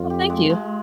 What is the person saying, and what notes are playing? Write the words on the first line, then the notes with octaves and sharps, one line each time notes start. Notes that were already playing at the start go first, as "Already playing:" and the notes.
Oh, thank you.
Already playing: F2 F4
G4
G#3
G#3